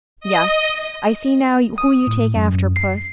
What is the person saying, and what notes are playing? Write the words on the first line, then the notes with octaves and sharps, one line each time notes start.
'Yes, I see now who you take after, puss.
D#5
D#6
A2
F#2
C7